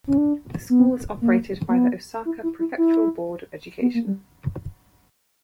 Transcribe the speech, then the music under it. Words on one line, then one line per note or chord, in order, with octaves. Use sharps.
The school is operated by the Osaka Prefectural Board of Education.
C#4
D4
B3
A#3
A#3
B3
E4
E4
E4
E4
B3
A#3
G3